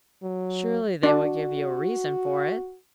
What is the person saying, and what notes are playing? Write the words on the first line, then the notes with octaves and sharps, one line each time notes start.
Surely they will give you a reason for it.
F#3
D4 F#4